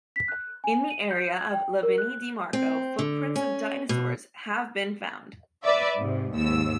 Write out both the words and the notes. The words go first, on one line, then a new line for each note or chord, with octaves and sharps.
In the area of Lavini di Marco footprints of dinosaurs have been found.
B6
F#6
G#5
D#7
G6
G#6
G5
A#4
F#6
C4
D3
C#4
B2
B4 D5 E5
G#2 C3
D#2 G#2 E6